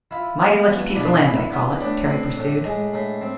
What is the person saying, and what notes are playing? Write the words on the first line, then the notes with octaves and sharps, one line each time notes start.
"Mighty lucky piece of land, I call it," Terry pursued.
E4 F4
B3
E2
E4
B2 D4
E4
B3
A2 D4
C4
A2
G#3
A2
C4